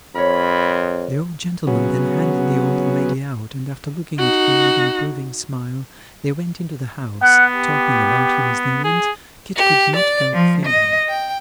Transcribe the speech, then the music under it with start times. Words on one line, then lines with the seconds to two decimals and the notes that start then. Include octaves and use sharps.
The old gentleman then handed the old lady out, and after looking at him with an approving smile, they went into the house--talking about him as they went, Kit could not help feeling.
0.15 F2 A#4 C#5 B5
1.67 C#3 F#3 B3
4.19 D#4 F#4
7.22 B3 F#5
7.54 G4
8.84 G#4
9.56 G4
9.95 D5
10.33 F3
10.66 D#5
11.08 G5